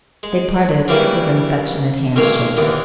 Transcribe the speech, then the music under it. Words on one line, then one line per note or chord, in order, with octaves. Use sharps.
They parted with an affectionate handshake.
G#3
C#3 E3 G3 A#3 E4 B4
B1 G#2 D#3 A#3 C#5 F5
D#2 D3 E3 D#6